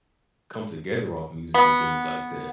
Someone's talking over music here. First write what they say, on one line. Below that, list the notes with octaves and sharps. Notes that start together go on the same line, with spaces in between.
come together off music and things like that,
B3